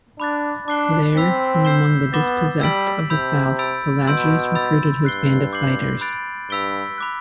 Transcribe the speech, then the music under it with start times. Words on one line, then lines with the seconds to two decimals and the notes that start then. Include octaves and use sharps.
There, from among the dispossessed of the south, Pelagius recruited his band of fighters.
0.20 D4 B5 D6 F#6 A6
0.67 D4 D6 F#6 C7 G7
1.16 C4 B5 E6 B6
1.65 E6 G6 C7 E7 G7
2.13 B3 D6 A6 E7 G7
2.61 G3 E6 B6 D7 F#7
3.10 C3 B5 E6 G6
3.59 B5 E6 A6 D7
4.07 B2 C6 E6 G6 D7
4.55 B5 E6 A6
5.04 G2 F#6 C7 G7
5.53 D6 G6 C7 F#7
6.01 B5 F#6 A6 D7
6.50 G2 B5 E6 B6 D7 G7
6.98 B5 D6 F#6